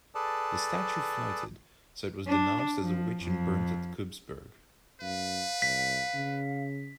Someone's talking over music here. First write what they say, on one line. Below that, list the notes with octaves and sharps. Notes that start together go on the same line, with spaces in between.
The statue floated, so it was denounced as a witch and burnt at Kubsberg.
G#4 A4 B4 D5 A5
D4
F3
F2
F#2 B4 F5
C2 B6
C#3